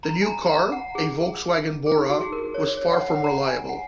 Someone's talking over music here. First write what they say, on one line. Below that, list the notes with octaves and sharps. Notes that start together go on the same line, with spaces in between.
The new car, a Volkswagen Bora, was far from reliable.
A#5
G#5
A#5
A#5
F#5
G#4
G#4
D#4
F#4
G#4
A#4
C#5
C#5
F#5
F#5
A#5
G#5
F#5